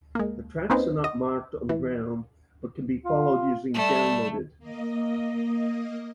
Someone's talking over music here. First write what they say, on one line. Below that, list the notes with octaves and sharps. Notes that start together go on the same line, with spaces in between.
The tracks are not marked on the ground but can be followed using downloaded.
G#3 A#3
A#3 C4 C#4 D#4 B4 C5
D#5
E3
F4
G3 A3
A#3 D#5